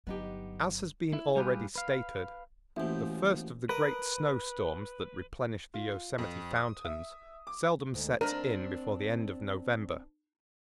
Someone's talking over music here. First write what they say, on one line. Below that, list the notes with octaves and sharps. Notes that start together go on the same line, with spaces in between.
As has been already stated, the first of the great snow-storms that replenish the Yosemite fountains seldom sets in before the end of November.
G1 F#3 B3 D#4 G4
E4
G3 F4 G4 G#4 B4
B4 F5
A1 B2 A#3 C#4 E4 C5
A#4 B4 D#5 D#6 D7
F4
F2
D#6
E5
D6
D2 G#2
C4 D4 A#4